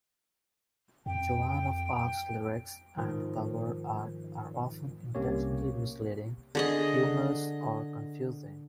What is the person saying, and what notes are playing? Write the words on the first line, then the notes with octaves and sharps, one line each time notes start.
Joan of Arc's lyrics and cover art are often intentionally misleading, humorous, or confusing.
F2 G5
G#2 D#3 F3
C2 C3 A#3 C#4 G4 C#5
D3 G#4 D#5